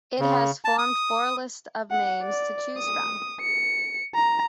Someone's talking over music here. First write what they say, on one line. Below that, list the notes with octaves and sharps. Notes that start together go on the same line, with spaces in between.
It has formed four lists of names to choose from.
C#3
A5
D#6
F#5
D5
D#6
C#7
A#5